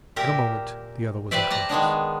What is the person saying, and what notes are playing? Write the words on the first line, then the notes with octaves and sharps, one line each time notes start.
In a moment the other was unconscious.
A#2 G4 A#4 E5
G4 B4 C5 D5 E5
D5 A5 A#5
D#3 G#3 B3 D4